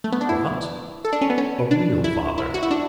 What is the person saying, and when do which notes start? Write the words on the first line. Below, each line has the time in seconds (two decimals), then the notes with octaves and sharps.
"What? a real father?"
0.04 A3
0.12 B3
0.21 D4
0.29 E4
1.05 A4
1.13 D4
1.21 C#4
1.30 B3
1.38 C#4
1.71 D4
2.04 E4
2.38 E4
2.54 F#4
2.63 E4
2.71 D4